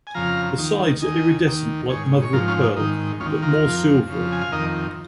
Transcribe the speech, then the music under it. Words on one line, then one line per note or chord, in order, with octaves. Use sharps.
The sides are iridescent like mother-of-pearl, but more silvery.
G#5
F2 C#3 F3 F5 A#5
D#2 D#3
D#2 D#3 D#5 G#5
D#2 D#3
G#2 D#3 G#4 C#5
C#5
G#2 F3 F4 A#4
C#4 F4
D#4
G#2 D#3 D#4
D#2 C#4 F4
D#3
F4 A#4
F2 F3
F2 C#3 F3
G#5
F5
F2 D#3 A#4 D#5